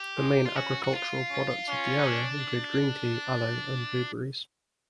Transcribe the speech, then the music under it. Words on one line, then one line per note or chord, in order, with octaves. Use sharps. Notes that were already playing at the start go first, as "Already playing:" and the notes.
The main agricultural products of the area include green tea, aloe and blueberries.
Already playing: G4
G#3
F4
C#4 F#4
F#4
F4
C#4
C#4
D#4
D4